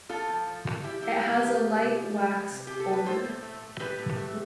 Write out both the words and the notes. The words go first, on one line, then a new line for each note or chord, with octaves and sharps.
It has a light wax odor.
A2 F4 A4
F3
F3
F3
F3 E4 G4
A2 E4 G4
A3 E4 G4
F3 G4 B4
A3
C3
F3
A3
F3
C3
C3 G4
A4
F3
B4
A2 A4 C5
A2
A3
A3
A2 G4 B4
A2
A3